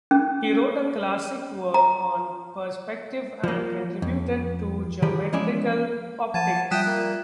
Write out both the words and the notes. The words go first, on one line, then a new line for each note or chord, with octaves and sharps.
He wrote a classic work on perspective and contributed to geometrical optics.
C#4
A#5
F3 A#3
F2
D#3 E3 G4 G#4 D5
F3 G#3 C#4 E4 D5 G#5
F3 F#5 A5 B5 G#6 D#7
G3 F4 E5 G5 D#6 F#6 B6 E7
A#3